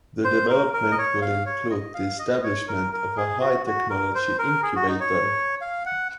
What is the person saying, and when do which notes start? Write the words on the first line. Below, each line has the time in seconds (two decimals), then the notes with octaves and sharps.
The development will include the establishment of a high-technology incubator.
0.24 C5
0.49 A#4
0.73 A#4
0.92 D#5
0.98 C#5
1.21 F5
1.46 C#5
1.71 D#5
1.95 F5
2.19 D#5
2.43 C#5
2.68 A#4
2.93 A#4
3.17 G#4
3.41 F#4
3.66 F#4
3.90 A#4
4.15 C5
4.39 A#4
4.63 G#4
4.76 F#4
4.88 D#4
5.00 C#5
5.61 F5
5.86 F#5